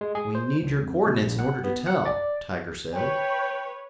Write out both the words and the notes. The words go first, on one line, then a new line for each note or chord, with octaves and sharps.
"We need your co-ordinates in order to tell," Tiger said.
G#3
G#4
C5
C#2
F2
B2
A#1
F#5
B3
F#5
D5
B4 C#5 G5